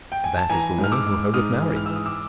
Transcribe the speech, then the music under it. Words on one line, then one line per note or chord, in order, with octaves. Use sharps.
"That is the woman who Herbert married."
G5
G#5
A5
E3 G#5 A#5
G#2
F6
D6 E6
G#2
G#2 D#6 F6
E3
F6
E3 E6
D#6
D6 E6